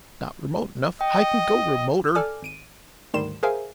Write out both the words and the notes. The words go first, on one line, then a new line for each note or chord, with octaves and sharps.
If not remote enough, I can go remoter.
D#5 G5
A4 D5 G#5 D6 F6
G#1 D7 D#7
D2 G#2 D#3 G3 C6 E7
G#4 A#4 C5 E5 F5 G#5